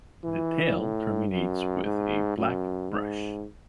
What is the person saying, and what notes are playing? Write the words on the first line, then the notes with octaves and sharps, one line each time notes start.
The tail terminates with a black brush.
E3
A2
F#2
G#2
F#2
G#2